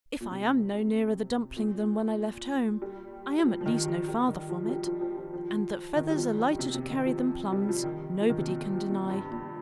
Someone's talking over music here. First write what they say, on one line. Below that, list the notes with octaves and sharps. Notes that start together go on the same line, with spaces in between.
"If I am no nearer the dumpling than when I left home, I am at least no farther from it; and that feathers are lighter to carry than plums nobody can deny."
A#2
C3
A#2
G3
G3
F3
F3
D#3
F3
G3
D#3
F3
F3
G3
F3
F3
F3
F3
D#3
G3
F3
F3
C3
C3
D#3
F3
G3
F3
D#3
F3
D#3
C3
A#2
A#2
G2
A#2